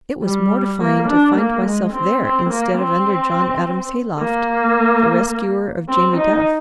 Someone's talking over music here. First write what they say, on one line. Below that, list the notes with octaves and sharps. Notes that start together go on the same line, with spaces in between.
It was mortifying to find myself there instead of under John Adam's hayloft, the rescuer of Jamie Duff.
G3
A#3
D4
A#3
G#3
C4
C4
A#3
C4
A#3
C4
D#4